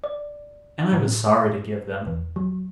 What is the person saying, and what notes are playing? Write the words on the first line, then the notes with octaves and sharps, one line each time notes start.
And I was sorry to give them.
D5
A2
E2
F#3